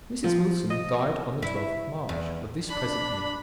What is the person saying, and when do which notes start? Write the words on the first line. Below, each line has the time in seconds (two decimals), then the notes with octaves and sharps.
Mrs. Wilson died on the twelfth of March of this present year.
0.24 F3
0.70 D#5
1.42 E4
2.09 E2
2.69 D4 B5